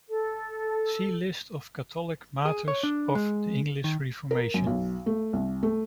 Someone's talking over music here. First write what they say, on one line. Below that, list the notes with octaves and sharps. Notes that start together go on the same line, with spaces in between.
See List of Catholic martyrs of the English Reformation.
A4
G#4
C#5
D4
G#3
D#3
A#4
F#2
B1
A3
C2
A3